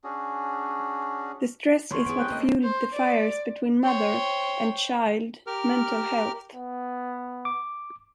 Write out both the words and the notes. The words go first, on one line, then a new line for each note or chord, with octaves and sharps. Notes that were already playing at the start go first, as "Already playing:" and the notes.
The stress is what fueled the fires between mother and child mental health.
C#4 D4 F#4 G#4
E2 C#5 C6 C#6
B3 G#4 D7
A1 C4 B4 G5
A#3 D#5
C5
D5
C5 C#5 G5
G4 A#4 F6
B3
D6